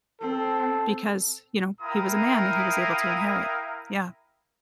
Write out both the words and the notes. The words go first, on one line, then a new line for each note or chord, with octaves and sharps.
because, you know, he was a man, and he was able to inherit. Yeah.
C4 A4
E4 A#4 F5 G5 A#5 D#6